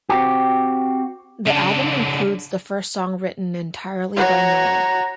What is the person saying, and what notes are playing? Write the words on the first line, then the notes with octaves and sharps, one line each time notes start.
The album includes the first song written entirely by Noll.
C4 F#4 G4
C#3 D4
F#4 C#5 A#5